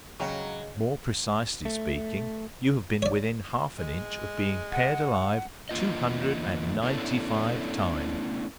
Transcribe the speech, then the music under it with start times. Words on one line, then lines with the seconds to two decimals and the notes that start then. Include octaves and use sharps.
"More precisely speaking, you have been within half an inch of being pared alive two hundred and ninety-five times."
0.20 C#3 F#3 G#3 C#5 F5 G5 C#6
1.65 A3
3.02 C#5 D5
3.79 G#3
4.72 F#5
5.69 E2 D3 A#3 F4 D#5
6.83 A3 B3 C#4 D4 E4 A4